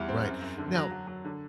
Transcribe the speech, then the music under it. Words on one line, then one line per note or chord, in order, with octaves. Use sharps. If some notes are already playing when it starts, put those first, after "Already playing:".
Right. Now
Already playing: E2 G3 E4
C4
F#2
F#2
D3
F#3
F#3
F#3
D3